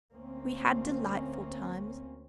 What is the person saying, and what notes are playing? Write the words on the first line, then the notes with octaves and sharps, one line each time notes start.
We had delightful times.
D2 A#3 C4 C#4